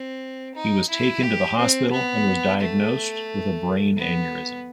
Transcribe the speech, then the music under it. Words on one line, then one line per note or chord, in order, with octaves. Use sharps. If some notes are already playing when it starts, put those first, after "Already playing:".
He was taken to the hospital and was diagnosed with a brain aneurysm.
Already playing: C4
D#4
E4
G4
C4
B3
A3
B3